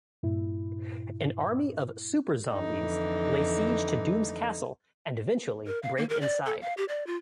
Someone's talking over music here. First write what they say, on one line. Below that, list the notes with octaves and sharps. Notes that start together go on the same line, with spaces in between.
An army of super-zombies lay siege to Doom's castle and eventually break inside.
G2 A#2 E4
F2 D3 E3 D#4
A#4
F5
A#3
A#4
D5
A4
F5
G4
D5
F4